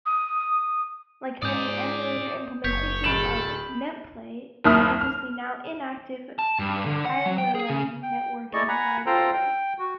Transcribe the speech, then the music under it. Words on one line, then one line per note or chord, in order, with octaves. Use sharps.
Like many emulator implementations of "NetPlay", it uses the now inactive Kaillera networking library.
D#6
G#2 D5 G#5 D#6 G6
F#1 C#5 G6 B6
D1 A4 B5 D7 E7 F#7
F#1 D#2 E4 D#6 F6
F6
A5
G2
D3
F#5
F#3
G5
G#4
C#3
G5
A3 E4 G#4 D5 D#5 C#6
F#5 G#5 A#5 B5
F4 A4 C5 G5 A#5
G5
F#4